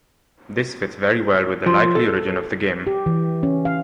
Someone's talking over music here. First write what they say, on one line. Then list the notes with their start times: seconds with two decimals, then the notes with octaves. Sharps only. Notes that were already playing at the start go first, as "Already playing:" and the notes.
This fits very well with the likely origin of the game.
1.66 F3
1.95 A4
2.87 G4
3.06 E3
3.43 C#4
3.65 F5